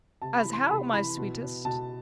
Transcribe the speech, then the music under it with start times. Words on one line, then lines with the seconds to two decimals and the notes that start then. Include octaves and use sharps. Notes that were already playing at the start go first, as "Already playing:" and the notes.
"As how, my sweetest?"
0.22 C3 A5
0.37 B5
0.45 E3
0.53 C6
0.69 C3 B5
0.93 E3 B5
1.17 B2
1.41 B2
1.65 B2 A5